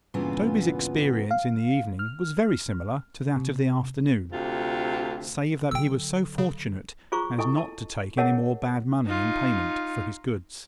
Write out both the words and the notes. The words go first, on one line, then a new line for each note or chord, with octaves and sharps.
Toby's experience in the evening was very similar to that of the afternoon, save that he was so fortunate as not to take any more bad money in payment for his goods.
G2 A#2 C#3 E3 B3 F4
F5
F6
C3
D2 C3 F4
D3 F#3 G5 E6
C#3
F4 G#4 C5 A#5 C#6 D6
E4 A4 D#5 G#5 C#6
D#5 A5
G#4 A#4 C#5 D#5 F#5 A5
D#4 F4